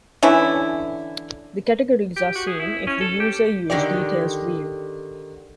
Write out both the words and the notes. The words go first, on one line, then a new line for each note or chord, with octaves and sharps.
The categories are seen if the user use "Details" view.
D3 E3 C#4 E4
G4
F#4
G#4
E4
C#4
A4
G4
D3 D#3 G4 D5